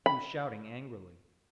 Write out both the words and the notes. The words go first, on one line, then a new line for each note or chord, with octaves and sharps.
He was shouting angrily.
B5